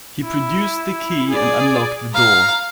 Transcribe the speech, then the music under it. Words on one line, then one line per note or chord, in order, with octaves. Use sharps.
He produced the key and unlocked the door.
E4
G#4 D5
F5 A#5